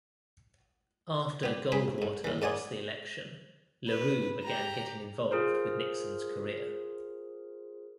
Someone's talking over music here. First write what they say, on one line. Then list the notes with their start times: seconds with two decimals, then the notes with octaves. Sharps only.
After Goldwater lost the election, LaRue began getting involved with Nixon's career.
1.43 B3 G4
1.72 C4 G#4 B4
2.02 G#2
2.24 D#2 E3
2.42 G#2 D5 F#5 G#5 D#6
3.88 B4
4.43 G4 A#5
5.31 F4 G#4 A#4 C5